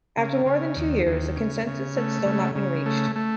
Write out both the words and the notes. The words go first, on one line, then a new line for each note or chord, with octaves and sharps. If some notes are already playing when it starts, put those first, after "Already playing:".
After more than two years, a consensus had still not been reached.
C#3
C#3
D#2
D#2
C#3
C#3
A3
C#3
C#3
A3
A3